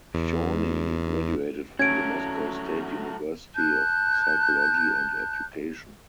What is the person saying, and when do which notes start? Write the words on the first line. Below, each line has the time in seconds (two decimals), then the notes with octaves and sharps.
Chorny graduated from the Moscow State University of Psychology and Education.
0.14 E2
1.79 F#3 A3 C#4 F#4 G#6 D7
3.55 A5 F#6 G6